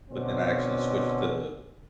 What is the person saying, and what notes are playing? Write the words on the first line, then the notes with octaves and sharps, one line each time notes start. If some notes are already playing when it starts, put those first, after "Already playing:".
but then I actually switched to,
B2 D3 C4 C#4